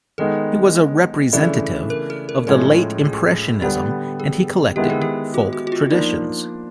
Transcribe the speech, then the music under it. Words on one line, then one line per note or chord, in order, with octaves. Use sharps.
He was a representative of the Late-Impressionism and he collected folk traditions.
D#3 G#3 B3 D#4 A4
C#3 E3 A3 D4 A4
A#4
A4
A#4
A2 F3 G#3 C#4 A4
G#4
D3 G3 B3 G4
G#4
D#3 G#3 B3 E4 G4
G#4
G4
F#4
F#4
F#4
F4
F3 A#3 D4 D#4